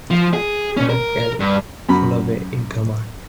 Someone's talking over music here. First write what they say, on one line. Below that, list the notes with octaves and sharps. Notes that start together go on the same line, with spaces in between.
Frank L. Fullaway in command.
F3
G#4
C#4
A#4
G2
F#2 B5